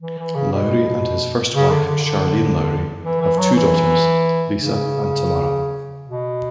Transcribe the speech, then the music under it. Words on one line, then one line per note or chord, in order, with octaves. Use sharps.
Loury and his first wife, Charlene Loury, have two daughters, Lisa and Tamara.
E3
E3
C#3
B2
C#3
D3
D3
D3
E3
E3
F#3
E3
C#3
B2